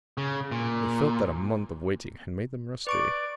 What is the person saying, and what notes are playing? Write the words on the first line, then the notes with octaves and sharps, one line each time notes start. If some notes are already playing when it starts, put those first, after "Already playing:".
They felt that a month of waiting had made them rusty.
C#3
A#2
B4 D5 C#6 D7